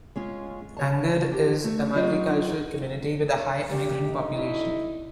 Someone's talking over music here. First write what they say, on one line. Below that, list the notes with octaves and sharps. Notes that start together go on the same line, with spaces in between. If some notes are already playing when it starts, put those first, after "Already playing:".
Angered is a multicultural community with a high immigrant population.
G#3 C#4 F4
C#3 C#5 A5
G4
A3
F#3 F4 D#5
C#5
G4 A#4 D5
D3 D#4
E4